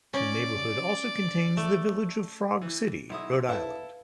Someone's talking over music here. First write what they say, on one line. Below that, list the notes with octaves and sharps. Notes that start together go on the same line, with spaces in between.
The neighborhood also contains the village of Frog City, Rhode Island.
C#4 D5
A3
E3
B1 E4 D#6
E4 A4 B4 F5 A5